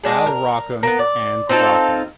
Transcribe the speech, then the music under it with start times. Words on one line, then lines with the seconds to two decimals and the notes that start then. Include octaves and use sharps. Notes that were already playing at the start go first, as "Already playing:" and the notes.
I'll rock 'em and sock 'em!
0.03 G#3 D4 G#4
0.27 A#4
0.83 A#3 B3
0.99 D5
1.49 C4 D#4 F4 A4